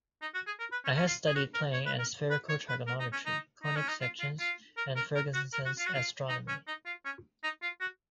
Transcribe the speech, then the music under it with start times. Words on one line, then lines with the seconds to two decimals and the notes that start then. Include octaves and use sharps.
I had studied plane and spherical trigonometry, conic sections, and Fergusson's "Astronomy".
0.22 D#4
0.34 F#4
0.47 G#4
0.59 A#4
0.72 B4
0.85 C#4
0.97 C#4
1.07 F4
1.26 G#4
1.35 F#4
1.54 A#4
1.73 C#5
1.86 B4
1.99 A#4
2.30 B4
2.49 C#5
2.68 B4
2.87 A#4
3.00 D#4
3.12 C#4
3.25 D#4
3.63 D#4
3.76 C#4
3.88 D#4
4.01 F4
4.20 F4
4.39 F4
4.77 A#4
4.96 A#4
5.15 A#4
5.34 F#4
5.53 A#4
5.66 F#4
5.79 F4
5.86 F#4
5.94 F4
6.29 D#4
6.48 C#4
6.67 D#4
6.86 F4
7.05 C#4
7.43 D#4
7.62 F4
7.81 F#4